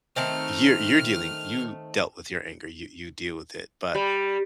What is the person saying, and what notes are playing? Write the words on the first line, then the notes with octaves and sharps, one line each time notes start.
you're you're dealing you dealt with your anger, you you deal with it, but,
D#3 A3 C4 F6
G3